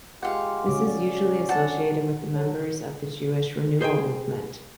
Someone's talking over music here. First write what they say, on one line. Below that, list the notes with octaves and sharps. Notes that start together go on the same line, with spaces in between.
This is usually associated with the members of the Jewish Renewal movement.
G#3 F4 G4 F5 F#5
C#3 C#4 F#4 D6
C#4 D5
F#5 A5
F#3 A4 C#5
G#4 C5 C#5 E5 G5 G#5